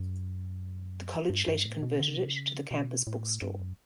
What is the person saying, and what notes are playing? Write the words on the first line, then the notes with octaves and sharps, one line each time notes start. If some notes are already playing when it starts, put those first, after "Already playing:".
The college later converted it to the Campus Bookstore.
Already playing: F#2
G2
G2
A2
B2
D3
C#3
B2
C#3
B2
A2
G2
F#2